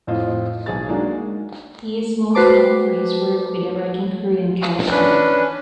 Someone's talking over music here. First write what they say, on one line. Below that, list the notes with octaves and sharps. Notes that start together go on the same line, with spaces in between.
He is most known for his work with the Wrecking Crew in California.
F2 A2 F3 F4 D#5
B1 G#4 A6
G#3 A#3 D4 D#4 F#4
F#4 B4 C5 A5 D6
C#4 D4 B4